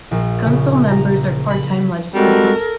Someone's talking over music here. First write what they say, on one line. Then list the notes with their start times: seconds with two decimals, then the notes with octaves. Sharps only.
Council members are part-time legislators.
0.11 A#1
0.46 C#3
0.88 A#5
1.51 B5
2.14 G3 G#3 C4 F#4 A4 A#4